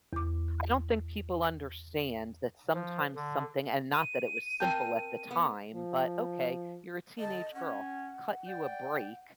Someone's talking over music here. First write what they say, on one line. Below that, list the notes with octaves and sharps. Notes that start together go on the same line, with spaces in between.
I don't think people understand that sometimes something- and not that it was simple at the time- but, "Okay, you're a teenage girl, cut you a break,"
E2 D6
F3
D3
D#7
C4 A#4 G5 A5 G6
B3
F3
D3 D#5 A5
C#4 F#5
D5 G5